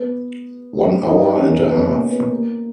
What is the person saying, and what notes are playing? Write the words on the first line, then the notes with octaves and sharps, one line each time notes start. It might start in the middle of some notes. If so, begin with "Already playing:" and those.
One hour and a half.
Already playing: B3
D#4
C#4
B3
A#3
B3
A#3